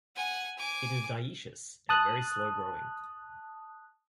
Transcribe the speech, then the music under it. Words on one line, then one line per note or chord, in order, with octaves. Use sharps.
It is dioecious and very slow-growing.
F#5 G#5
G#5 D6
A5 D#6 F#6